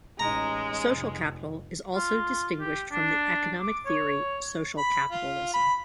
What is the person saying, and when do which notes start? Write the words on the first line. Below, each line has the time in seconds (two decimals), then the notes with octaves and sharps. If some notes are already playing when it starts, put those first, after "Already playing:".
Social capital is also distinguished from the economic theory social capitalism.
0.19 A1 G#3 D#4 A#5
0.92 F1
1.95 F4
2.60 G4
2.91 D4
3.62 D6
3.86 C#5
4.78 B5
5.10 F4
5.54 B5